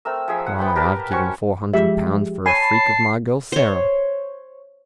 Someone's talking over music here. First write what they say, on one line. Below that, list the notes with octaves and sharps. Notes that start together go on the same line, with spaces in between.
Why, I've given four hundred pounds for a freak of my girl Sarah!
A3 C4 A#4 E6
F3 G#4 E5
F#5
B3 G5 B5
G4 A#4 B4 A5
C#4 F#4 C5 C#6
F3 G#3 G4 E5
C#5 G#5 A5 B5 C7
C5 C#5